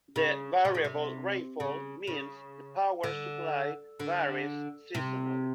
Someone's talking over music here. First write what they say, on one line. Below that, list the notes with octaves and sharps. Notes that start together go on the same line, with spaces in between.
The variable rainfall means the power supply varies seasonally.
C#3
C3
C#3
C3
C#3
C#3
D3
D3
C3